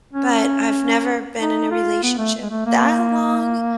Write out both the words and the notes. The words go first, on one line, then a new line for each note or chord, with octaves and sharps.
but I've never been in a relationship that long,
C#4
D#4
F4
B3
A3
G#3
A3
A#3